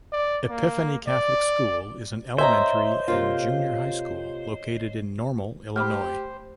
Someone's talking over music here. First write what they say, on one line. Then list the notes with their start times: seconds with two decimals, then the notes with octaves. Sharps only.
Epiphany Catholic School is an elementary and junior high school located in Normal, Illinois.
0.12 D5
0.49 A#3
1.07 D5
2.38 C5 C#5 D#5 E5 G#5 A#5
3.08 C3 A#3 F4
5.76 A3 G4 C5 B5 D6 F6